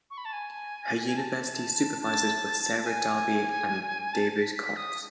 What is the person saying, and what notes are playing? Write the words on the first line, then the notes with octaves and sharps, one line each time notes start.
Her university supervisors were Sarah Darby and David Cox.
C#6
B5
A5
G#5
G#5
A5
A5
A5
G#5
A5
A6
B6
B6
D#6